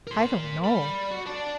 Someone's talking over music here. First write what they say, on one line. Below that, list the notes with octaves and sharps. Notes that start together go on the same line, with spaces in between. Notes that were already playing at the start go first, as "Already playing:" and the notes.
"I don't know."
A#4 C6
D5 B5
F#4
D5 A5